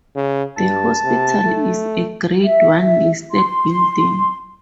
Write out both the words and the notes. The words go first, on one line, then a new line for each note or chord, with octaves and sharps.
The hospital is a grade one listed building.
C#3
G2 A5
C3
A3
E5
C6